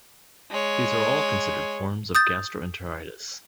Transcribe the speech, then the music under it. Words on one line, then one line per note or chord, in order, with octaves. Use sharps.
These are all considered forms of gastroenteritis.
G#3 C#5
D#6 G6 A6